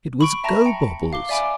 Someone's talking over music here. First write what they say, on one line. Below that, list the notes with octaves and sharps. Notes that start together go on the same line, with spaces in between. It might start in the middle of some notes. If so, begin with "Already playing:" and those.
"It was Gobobbles."
B5 C#6 D7
E5 G5 A5 A#5 C#6 A#6
G5 C#7
F5 D6 G7
D5 E5 G#5 B5 D6 D7